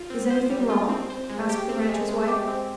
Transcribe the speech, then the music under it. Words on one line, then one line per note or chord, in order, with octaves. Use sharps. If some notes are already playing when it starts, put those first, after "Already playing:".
"Is anything wrong?" asked the rancher's wife.
Already playing: F4
C4
C5
G3
F4
C4
C5
G#3
G4
C4
G#3
G#3
G4
C4